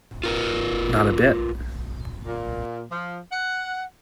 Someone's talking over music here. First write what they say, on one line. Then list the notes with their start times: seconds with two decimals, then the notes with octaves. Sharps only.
Not a bit.
0.24 F4 A#4 B4
2.25 A#2
2.91 F3
3.31 F#5